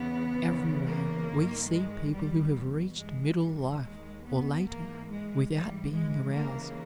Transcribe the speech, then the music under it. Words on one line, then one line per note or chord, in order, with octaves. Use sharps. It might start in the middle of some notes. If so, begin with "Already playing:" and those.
Everywhere we see people who have reached middle life or later without being aroused.
Already playing: E2 C#3 E3 B3
E2 C#3 E3
A#3
G2 D#3
G#3
E2 B2 G3
G2 E3 G#3
G3
D#2 D#3 G#3
B3
G#2 E3 A#3
G#3
G#2 E3 G3
G#3
D#2 C#3 E3 A#3